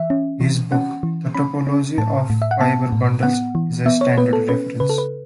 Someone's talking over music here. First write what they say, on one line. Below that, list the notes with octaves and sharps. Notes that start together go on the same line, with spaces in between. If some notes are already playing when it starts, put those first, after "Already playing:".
His book "The Topology of Fibre Bundles" is a standard reference.
Already playing: E3 E5
C#4
E3
C#4 F#5
E3
C#4 B5
C#4
A2 A5
A2
E5
F#5
B3 A5
A2
B3 F#5
E3
B3 E5
C#5
B3 B4
A4
C#4 B4
C#3 B4
A4
B4